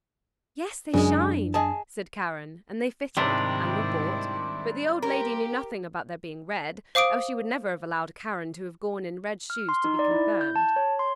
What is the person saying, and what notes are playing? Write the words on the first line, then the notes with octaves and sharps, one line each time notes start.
"Yes, they shine!" said Karen, and they fitted, and were bought, but the old lady knew nothing about their being red, else she would never have allowed Karen to have gone in red shoes to be confirmed.
F#2 C#3 G#3 D4
G#4 D#5 A5
G#2 C3 D#3 G3 C4 D4 E4
G4 A#4
C5 F5 D6 D#6 D7
F6
C6
D#4
D5
E4
G6
A5
C#5
C6